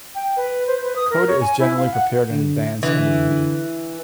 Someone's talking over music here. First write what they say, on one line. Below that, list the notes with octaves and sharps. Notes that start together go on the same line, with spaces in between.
Coda is generally prepared in advance and reheated.
G5
B4
C5
B4
D#6
A#4
C#5
G#5
E4
F5
F#5
D3
D3 E3